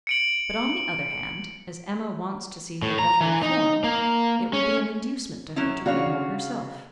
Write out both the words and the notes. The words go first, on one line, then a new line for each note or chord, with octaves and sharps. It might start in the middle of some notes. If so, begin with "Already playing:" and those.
But on the other hand, as Emma wants to see her better informed, it will be an inducement to her to read more herself.
C#7 D7 F#7
A2
A#5
E3
D#4
A#3
C#4
F#3 C#4 E4
C#3 D4 F#4 C#5 F5